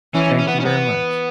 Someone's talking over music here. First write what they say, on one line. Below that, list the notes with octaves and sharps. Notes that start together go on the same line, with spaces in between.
Thank you very much.
E3 C#4
C#4
B3
C#4
B3